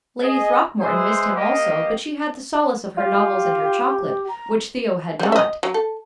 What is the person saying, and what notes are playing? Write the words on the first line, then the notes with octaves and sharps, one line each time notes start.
Lady Throckmorton missed him also, but she had the solace of her novels and her chocolate, which Theo had not.
G#4 D#5
G#3 G#4 B4 C5 E5
A#3 G4 D#5
F4 G4
A#5
C#3 G3
D#5 E5
F#3
A4